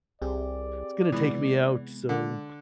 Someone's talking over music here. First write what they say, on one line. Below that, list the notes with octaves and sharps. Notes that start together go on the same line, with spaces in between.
it's gonna take me out so
C2 C4 G4 G#4 D5
C3 E3 G#3 B3
D3